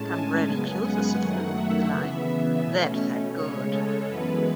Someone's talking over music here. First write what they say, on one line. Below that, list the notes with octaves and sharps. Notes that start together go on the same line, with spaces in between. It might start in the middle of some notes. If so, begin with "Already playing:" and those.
Gambrelli closes the film with the line: That felt good!
Already playing: A2 G#3 C#4 A5
G#5
F#2 C#3 G#3 B3
F#5
F#2 D#3 F#3 A3
E5
C#3 E3 B3
B2 A3 C#4
C#3 G#3 C#4 C#5
A4
F#2 E3 G#3 B3 B4